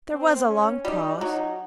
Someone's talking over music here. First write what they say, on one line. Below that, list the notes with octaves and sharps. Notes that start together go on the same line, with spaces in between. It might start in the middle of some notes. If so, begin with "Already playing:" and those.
There was a long pause.
C4
C#4
G3 D#4
F#3 D#4